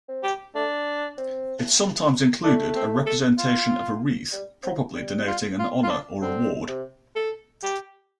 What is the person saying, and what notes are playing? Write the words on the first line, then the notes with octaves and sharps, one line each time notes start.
It sometimes included a representation of a wreath, probably denoting an honour or award.
C4
G4
A3 D4
C4
A3 D4
C4
A4
F4
G3
C4
G3
F4
F4
F4
D4
D3 C4
C3
A4
G4